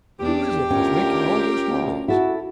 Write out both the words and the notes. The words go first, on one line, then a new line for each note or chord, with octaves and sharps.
"Who is it that's making all this noise?"
E2 D4 G4
D2 C#4 F4 A#4 G5
D2
E4 F#4 A4